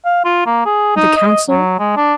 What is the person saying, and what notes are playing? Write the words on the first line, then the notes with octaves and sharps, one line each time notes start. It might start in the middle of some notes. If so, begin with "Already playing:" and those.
The Council?
F5
F4
A#3
G#4
D#4
D#5
F#3
G#3
D4